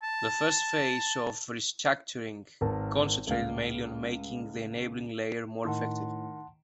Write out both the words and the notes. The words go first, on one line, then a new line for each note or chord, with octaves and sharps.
The first phase of restructuring concentrated mainly on making the enabling layer more effective.
A5
G#1 A#4 B4 A5
C#2 A2 F5
A2 D#3 F#5 A5 C6